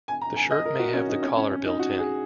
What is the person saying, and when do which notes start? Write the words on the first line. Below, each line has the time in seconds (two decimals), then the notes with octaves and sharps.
The shirt may have the collar built in.
0.08 G#5
0.22 A#5
0.36 G#5
0.51 D#5
0.65 A#4
0.79 F#4
0.94 C#4
1.08 D#4
1.22 C#4
1.37 C#4
1.52 C#4
1.66 D#4
1.79 F#4
1.99 G#4